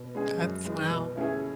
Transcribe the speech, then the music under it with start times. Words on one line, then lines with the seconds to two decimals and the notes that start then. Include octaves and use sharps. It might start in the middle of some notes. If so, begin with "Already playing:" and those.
That's wow.
Already playing: B2
0.15 G#3 C#4 G#4
0.40 F#2
0.65 E3 G#3
0.91 B2
1.16 A3 C#4 E4 G#4